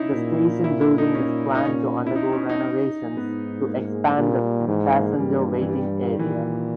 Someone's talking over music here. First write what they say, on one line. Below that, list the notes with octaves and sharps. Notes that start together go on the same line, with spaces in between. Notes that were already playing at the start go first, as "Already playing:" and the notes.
The station building is planned to undergo renovations to expand the passenger waiting area.
Already playing: C#4 D#4 E4
A#2
E4
E4
D#4
C#4
D#4
A#2 C#4
E4
D#4
C#4
D#4
G#2 B3
A#3
A#3
G#3
A#2 G3
D#3
G#2 E3
A#3
G#3
G2 G3
E3
G3
D#3
A#2 E3